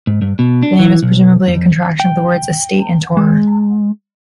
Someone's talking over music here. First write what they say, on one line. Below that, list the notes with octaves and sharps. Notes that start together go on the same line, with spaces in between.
The name is presumably a contraction of the words 'estate' and 'tourer'.
G#2
G2
B2
D4
E3
B1
F2
G5
G#3